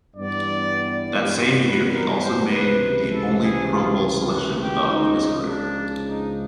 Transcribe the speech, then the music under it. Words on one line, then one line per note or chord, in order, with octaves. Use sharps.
That same year, he also made the only Pro Bowl selection of his career.
G2 E3 G3 B3 D5
C5
B4
A#4
C5
C#2 C3 E3 B4
A4
G#4
F4
F4
F#4
G4
C#2 C#3 F3 D#4
D4
D#4